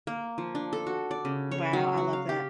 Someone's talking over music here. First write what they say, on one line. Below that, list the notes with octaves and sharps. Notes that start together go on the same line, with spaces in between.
wow, I love that.
A#3
F3
D4
A4
F#4
D5
C#3
C#5
F#3
F#4
F5
G4